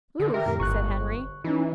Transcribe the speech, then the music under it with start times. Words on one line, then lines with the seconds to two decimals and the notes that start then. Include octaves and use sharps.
"Whew!" said Henry.
0.20 D3
0.34 G4 A#4 E5
0.46 F2 A2
0.60 G1 C#6 F#6
1.44 E3 C#4 D#4 E4